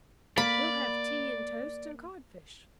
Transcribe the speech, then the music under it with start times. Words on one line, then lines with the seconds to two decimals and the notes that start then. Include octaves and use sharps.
"We'll have tea and toast and codfish."
0.38 A#3 D5 B5